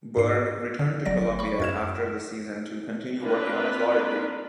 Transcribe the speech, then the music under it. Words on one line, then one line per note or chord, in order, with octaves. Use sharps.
Berg returned to Columbia after the season to continue working on his law degree.
G#2 C7
D3
G1 F#3 D5 A#6
B5 C#6
F#2 G#6 E7
A#3 C4 D4 F4 A#4 B4